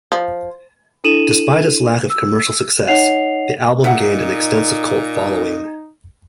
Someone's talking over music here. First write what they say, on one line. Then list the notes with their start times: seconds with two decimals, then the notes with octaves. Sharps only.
Despite its lack of commercial success, the album gained an extensive cult following.
0.12 F3
1.04 D4 E4 A4 D#7 E7 F#7
2.10 E6
2.88 D#4 C#5 D#5 F#5 C7 F7
3.84 A#2 D#4 E5 F#5